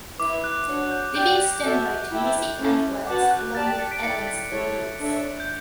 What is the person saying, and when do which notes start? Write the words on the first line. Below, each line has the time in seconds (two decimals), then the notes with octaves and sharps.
Livingston wrote music and words along with Evans the lyrics.
0.20 E4 B4 E5 D6
0.44 F#6
0.68 D4 F#4 C#5 F#5
0.91 G6
1.15 G4 D5 G5 G6
1.63 F#4 A4 E5
2.11 E4 A4 E5 G5
2.59 A3 C#4 E4 A4 C#5
3.07 F#4 B4 F#5 A5 D6
3.31 F#6
3.55 G4 D5 A5 A6
3.67 B6
3.79 A6 C#7
3.91 B6 D7
4.03 E4 A4 D5 G5 A6 C#7
4.27 B6
4.52 E4 A4 C#5
4.99 D4 A4 C#5 E5
5.40 G6